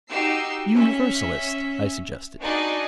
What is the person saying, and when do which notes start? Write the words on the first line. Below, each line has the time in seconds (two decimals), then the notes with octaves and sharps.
"Universalist?" I suggested.
0.10 D#4 F#4 G4 E6 C7
0.75 C#4 E5
2.39 D4 D#4 F#4 G#4 D5 D#5